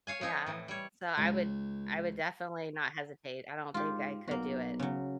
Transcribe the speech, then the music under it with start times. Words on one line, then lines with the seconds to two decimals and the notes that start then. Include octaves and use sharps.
Yeah. So, I would I would definitely not hesitate. I don't think I could do it,
0.07 C#5 F5 G#5
0.21 F3 C4 D#4 C#5
0.46 A2 E3
0.68 G3 C#5
1.18 C#2
3.74 G#2 F4 G4
4.28 B1 A#3 F#4
4.79 C#3 F#3